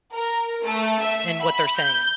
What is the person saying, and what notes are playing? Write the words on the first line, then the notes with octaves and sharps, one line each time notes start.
and what they're saying.
A#4
A3
E5
B5
G6